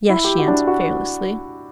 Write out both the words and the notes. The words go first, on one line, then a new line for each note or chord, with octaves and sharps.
"Yes," she answered fearlessly.
E4
G4
F#4
D4
E4
F#4